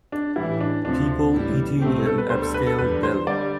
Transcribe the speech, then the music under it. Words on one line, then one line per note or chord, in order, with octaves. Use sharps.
People eating in an upscale deli.
D4
A1 A2 E3 G3 E4
D4
D2 C3 F3 C4 D4
A1 A2 G3 B3 E4
C2 B2 A3 C4 G4
A4
B4
D2 D3 G3 C5
A4
B4
A4
E2 D3 G3 B4
C5
D3 G3 D5